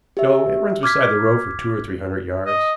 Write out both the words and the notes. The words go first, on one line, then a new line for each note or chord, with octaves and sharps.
"No, it runs beside the road for two or three hundred yards."
G4 E5
D6 F6 G#6 B6
D#5